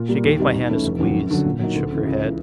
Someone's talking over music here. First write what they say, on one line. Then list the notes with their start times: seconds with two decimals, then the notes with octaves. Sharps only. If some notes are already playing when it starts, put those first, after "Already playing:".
She gave my hand a squeeze, and shook her head.
Already playing: A#2
0.09 G3 A#3
0.24 D#2
0.39 D#3 G3 C4 D#4
0.54 G#2
0.69 E3 A3 C#4 E4
0.84 F1
1.00 D#2 C#3 F#3
1.15 F#2
1.31 D3 F#3
1.45 A#2
1.60 F#3 A#3 D#4
1.75 D2
1.91 C#3 E3
2.06 C#2
2.21 C#3 E3